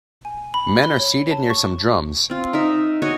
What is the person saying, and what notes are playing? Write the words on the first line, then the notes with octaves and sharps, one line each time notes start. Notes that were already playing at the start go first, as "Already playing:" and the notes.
Men are seated near some drums.
G#5
B5
G7
C#5
A5
C#6
C4 F4
D#4 A#4 E5
F#4 C#5 D#5 G#5